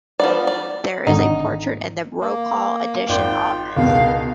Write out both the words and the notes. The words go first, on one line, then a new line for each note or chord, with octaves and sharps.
There is a portrait in the "Brokaw Edition"s office.
F3 B3 D5
D5
G#1 D3 D#4
A#3
G#1 F4 G5
C#2 G2 B2 D#3 F5